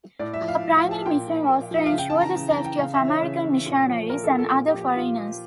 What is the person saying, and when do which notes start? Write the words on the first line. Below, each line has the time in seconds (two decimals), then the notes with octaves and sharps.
Her primary mission was to ensure the safety of American missionaries and other foreigners.
0.19 A2 D5
0.34 E5
0.41 F3
0.48 F5
0.63 A2
0.77 F5
0.85 F3
0.91 A5
1.06 A#2 G5
1.27 F3
1.49 A#2
1.71 F3 E5
1.86 F5
1.93 C#3
1.98 G5
2.10 E3 A5
2.21 A#5
2.36 C#3
2.50 A#5
2.57 E3
2.65 G5
2.79 C#3 F5
2.94 E5
3.01 E3
3.08 C#5
3.23 C#3
3.44 E3
3.66 A#2
3.88 F3
4.09 A#2 A#4
4.24 A4
4.31 F3
4.39 A4
4.53 A#2
4.67 G4
4.74 F3
4.81 G4
4.95 A#2 F4
5.18 F3